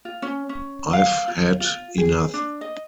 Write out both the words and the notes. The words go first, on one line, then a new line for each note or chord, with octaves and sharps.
I've had enough.
F4
C#4
C#4
F5
F4
F4
G#4
D4
D#5